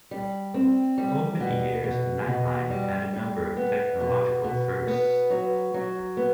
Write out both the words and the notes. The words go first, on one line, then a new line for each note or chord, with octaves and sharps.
Over the years, "Nightline" had a number of technological firsts.
G3
C4
G3
B2
B2
B2
G3
G3
B3
B2
B2
B3
F#3
F#3
B3